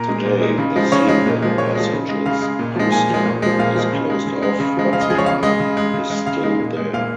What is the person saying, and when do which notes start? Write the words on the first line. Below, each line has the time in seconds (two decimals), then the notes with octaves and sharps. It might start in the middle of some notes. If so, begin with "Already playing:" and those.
Today, the secret passage's postern is closed off, but the path is still there.
Already playing: A#2 A#4
0.08 G#3
0.25 A#2
0.41 G#3
0.58 C#3
0.76 F3 G#3
0.92 C#3 C#5
1.08 F3 G#3
1.26 A#2
1.42 F3 G#3
1.58 A#2 C#5
1.75 F3 G#3
1.93 C#3
2.09 G#3
2.26 C#3 F5
2.42 G#3
2.59 A#2
2.76 F3 G#3
2.92 A#2 G#5
3.10 F3 G#3
3.25 A#2
3.42 F3 G#3
3.59 A#2 F5
3.76 F3 G#3
3.93 C#3
4.10 G#3
4.27 C#3
4.42 G#3
4.60 C#3
4.77 F3 G#3
4.93 C#3 F5
5.01 D#5
5.10 F3 G#4
5.15 G#3 C#5
5.26 C#3 F5
5.43 G#3 D#5
5.60 C#3
5.77 G#3
5.94 C#3
6.10 G#3
6.26 C#3 F5
6.43 G#3
6.60 A#2
6.77 G#3
6.93 A#2 F5